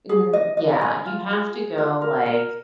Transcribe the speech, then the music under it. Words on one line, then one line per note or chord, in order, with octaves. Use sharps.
mm, yeah, you have to go, like
G#4
D#5
D#5
G#5
F4
G#4
G#4
F4
A#4
A#4